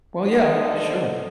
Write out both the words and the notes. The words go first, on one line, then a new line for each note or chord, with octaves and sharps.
Well, yeah, sure.
B2 D3 D#4 A4 C5